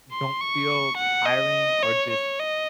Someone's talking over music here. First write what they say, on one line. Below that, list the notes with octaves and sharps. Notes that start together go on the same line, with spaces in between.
don't feel tiring are just
C6
C#6
F#5
D#5
C#5
C#5
D#5